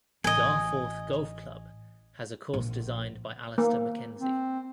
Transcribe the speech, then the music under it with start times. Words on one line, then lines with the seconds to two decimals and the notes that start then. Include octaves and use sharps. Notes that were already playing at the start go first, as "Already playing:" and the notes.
Garforth Golf Club has a course designed by Alister MacKenzie.
0.24 A1 D#5 G#5
2.53 A#1
3.58 A#3
4.19 C4